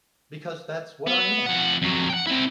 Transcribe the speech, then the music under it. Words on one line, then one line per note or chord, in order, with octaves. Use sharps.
Because that's what I am!
B3
F2 F#5
F2 F#3
F#5 G5
C4 E4